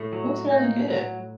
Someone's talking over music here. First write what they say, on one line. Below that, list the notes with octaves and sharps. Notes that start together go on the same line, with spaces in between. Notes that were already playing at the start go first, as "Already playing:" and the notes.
it was really good.
Already playing: A2 A3
F#3
A#3 D#4
F#3